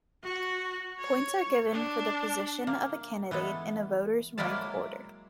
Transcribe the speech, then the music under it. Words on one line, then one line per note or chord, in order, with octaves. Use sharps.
Points are given for the position of a candidate in a voter's rank order.
F#4
C#5
D4
A#3
E3 G#3 B3 A4
F#3 G#3 A#3 E4 D5 A5